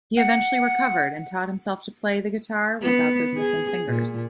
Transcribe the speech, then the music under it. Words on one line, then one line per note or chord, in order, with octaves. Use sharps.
He eventually recovered, and taught himself to play the guitar without those missing fingers.
F#5
B3
G#4
A#2